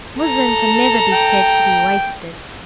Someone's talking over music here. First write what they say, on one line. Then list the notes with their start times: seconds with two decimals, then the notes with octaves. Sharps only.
Muslin can never be said to be wasted.
0.20 A4 A#5
1.12 G5